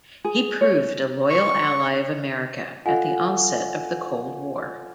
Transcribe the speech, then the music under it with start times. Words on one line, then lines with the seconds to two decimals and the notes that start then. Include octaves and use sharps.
He proved a loyal ally of America at the onset of the cold war.
0.24 G#4
0.61 C#5
1.30 C#6
2.86 F4 A4 D#5 F5 F#5 G#5